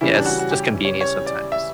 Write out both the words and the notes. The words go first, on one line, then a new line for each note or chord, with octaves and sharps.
yeah, it's just convenient sometimes.
C#3 E3 G3 C#4 E4
D4
F#4
F#4
G4
C#5
C#5
D5
E5